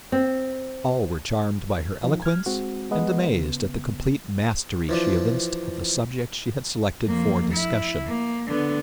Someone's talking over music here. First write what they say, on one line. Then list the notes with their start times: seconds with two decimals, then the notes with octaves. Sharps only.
All were charmed by her eloquence and amazed at the complete mastery she evinced of the subject she had selected for discussion.
0.12 C4
2.04 F3 D#4
2.22 F6 G#6
2.46 G#3 C4 F#4
2.91 G#3 B3 B4 D#5 F#5
3.31 C#3 B3
4.89 E3 F3 D4
7.07 F2 A#3
7.54 E4
8.07 A#3
8.47 D3 B3